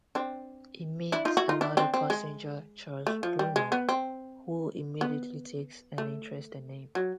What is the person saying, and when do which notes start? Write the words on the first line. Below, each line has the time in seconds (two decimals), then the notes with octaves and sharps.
He meets another passenger, Charles Bruno, who immediately takes an interest in him.
0.15 C4 D4
1.12 D4 E4
1.25 D#4 F4
1.37 E4 F#4
1.49 D#4 F4
1.61 D4 E4
1.77 C4 D4
1.94 C4
2.10 G#3
3.07 A3
3.23 F3
3.39 G3
3.56 G#3
3.72 B3
3.89 C4
5.01 B3
5.98 A3
6.95 F#3